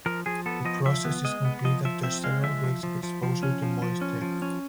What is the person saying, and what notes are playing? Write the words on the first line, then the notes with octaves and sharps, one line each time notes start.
The process is complete after several weeks of exposure to moist air.
F3 A#4
F3 G#4
B3 A4
F3 D#5
F3 E5
B3
G#3 D#5
B3
F3 D#5
F3 E5
C4 E5
G#3 F5
F3 E5
F3
F3
F3
F3
C#4
F3
F3
C#4
F3
C#4